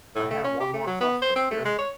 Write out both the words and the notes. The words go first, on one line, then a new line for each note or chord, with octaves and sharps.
I have one more suspect here.
A2
A3
C#4
G4
A3
F#3
B3
C5
C4
A3
G#3
C#5